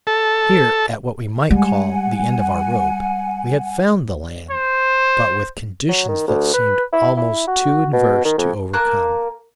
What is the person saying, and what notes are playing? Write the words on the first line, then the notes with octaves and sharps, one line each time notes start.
Here, at what we might call the end of our rope, we had found the land, but with conditions that seemed almost too adverse to overcome.
A4
G3 G#3 F#5 G#5
C5
F#3
D#3
D2
B4
E4
E4
F#4
B2
D#3
F2
A#3 A#4 A5 F#6